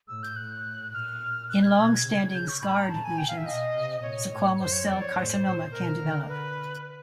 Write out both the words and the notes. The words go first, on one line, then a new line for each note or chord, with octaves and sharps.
In longstanding scarred lesions, squamous cell carcinoma can develop.
A2 E6
G6
A2 F#6
A#2 F6
F#6
G#6
B2
C#3
G6
C#6
A2 B5
A#5
A#2 A5
G#5
G5
F5
E5
B2 D#5
C3
A#2 C#5
A2
F#2 C5
C#5
F2 D5
C#5
A2 C5
A#2
B2 A#4
D3
B4